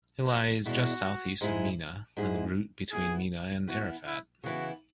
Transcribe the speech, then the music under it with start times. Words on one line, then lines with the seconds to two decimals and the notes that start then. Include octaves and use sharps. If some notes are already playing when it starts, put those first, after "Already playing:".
It lies just southeast of Mina, on the route between Mina and Arafat.
0.27 F#4
0.65 E2 B2 G#3 E4 F#4
1.41 G#2 G#3 E4 G#4
2.17 G#2 G#3 E4 G#4
2.92 E3 B3 E4 G#4
3.68 E3 B3 E4 F#4
4.06 E4
4.44 C#3 E3 B3 E4 F#4